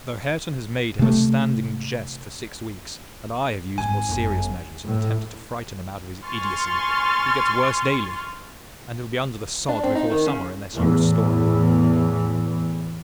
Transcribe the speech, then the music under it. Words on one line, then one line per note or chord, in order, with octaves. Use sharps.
Though Hareton has made him a standing jest for six weeks, and I have used more serious measures, and attempted to frighten him out of his idiotcy, he gets worse daily; and he'll be under the sod before summer, unless you restore him!'
C3 A3
G#1 G#5
G1 F#2
A2
G#5 C6 C#6 F6 A6
D4
C4
D#4
D#3
C#3
E2 A2 E3